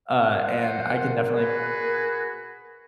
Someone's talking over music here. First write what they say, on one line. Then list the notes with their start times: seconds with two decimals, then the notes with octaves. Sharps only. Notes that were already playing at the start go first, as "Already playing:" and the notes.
uh, and I can definitely
0.32 A#4 C5 F#5
1.28 F#4 G#4 B4